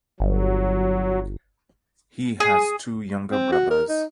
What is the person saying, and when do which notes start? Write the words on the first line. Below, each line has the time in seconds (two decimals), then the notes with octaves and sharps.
He has two younger brothers.
0.20 G1 F#3
2.40 G#4
3.31 C4
3.53 F#4
3.71 A#4
3.89 D#4